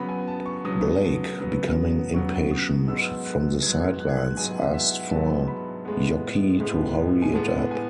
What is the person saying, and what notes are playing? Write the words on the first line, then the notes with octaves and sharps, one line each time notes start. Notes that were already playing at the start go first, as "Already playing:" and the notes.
Blake, becoming impatient from the sidelines asked for Yockey to hurry it up.
Already playing: C#3 F#3 B3 B5
G#5
A5
C#6
C#3 F#3 B3 D#6
C#3 F#3 B3
C#3 F#3 B3 C#6
D#6
G#2 F#3 B3 E6
F#6
G#2 F#3 B3 G#6
F#6
G#6
F#6
G#6
F#6
G#2 F#3 B3 G#5
F#5
E5
F#5
G#2 F#3 B3 A5
B5
A2 G#3 B3
A2 G#3 B3
G#5
A2 G#3 B3 A5
G#5